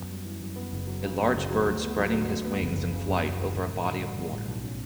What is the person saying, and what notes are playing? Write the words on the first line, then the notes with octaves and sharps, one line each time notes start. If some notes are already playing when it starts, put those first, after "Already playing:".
A large bird spreading his wings in flight over a body of water.
Already playing: F#2 B3
G3
E3
F#2
B3
F#1
F#3
C#3
F#2
F#1
F#3
D2
B3
F#3
D3
D2
B3
F#1
F#1
C#3
F#2
F#1
F#1
A1
A1
D3
G2
A1
A1
B1
C#4